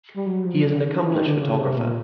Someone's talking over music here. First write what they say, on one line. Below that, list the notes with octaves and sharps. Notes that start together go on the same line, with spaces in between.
He is an accomplished photographer.
G3
F#3
F3
C#3
D#3
E3
D#3
D3
C#3
C3
A#2